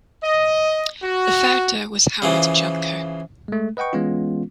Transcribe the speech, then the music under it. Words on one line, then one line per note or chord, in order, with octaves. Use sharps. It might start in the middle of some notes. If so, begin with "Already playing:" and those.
The founder was Howard Junker.
D#5
F#4
C#3 E3 F3
G#3 A3
B4 D#5 F#5 G5 C#6
E3 G#3 B3 C#4 F4